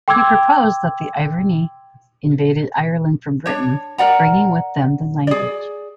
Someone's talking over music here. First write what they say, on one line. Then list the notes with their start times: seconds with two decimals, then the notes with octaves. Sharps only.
He proposed that the Iverni invaded Ireland from Britain, bringing with them the language.
0.08 G5 C6 D6 E6 G#6
3.46 D4 C#5
3.98 A#4 D5 F#5 A#5
5.27 G#4 D5